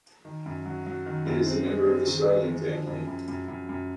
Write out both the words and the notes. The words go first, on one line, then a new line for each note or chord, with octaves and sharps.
It is a member of the starling family.
D#3
F#2
F#3
F#3
D#3
F#2
C4
G#3
C4
D#3
G#3
G#3
F3
F#2
F#2
F#2
F#2
F#2